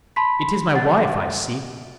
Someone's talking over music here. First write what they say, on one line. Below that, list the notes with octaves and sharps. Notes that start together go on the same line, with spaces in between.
It is my wife I seek.
A5 B5 C6 B6
F#5 A6